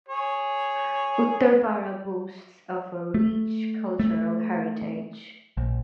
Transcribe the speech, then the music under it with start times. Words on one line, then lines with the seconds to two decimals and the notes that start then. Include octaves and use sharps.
Uttarpara boasts of a rich cultural heritage.
0.09 G#4 C#5
3.14 A3
3.99 A3
5.57 A#1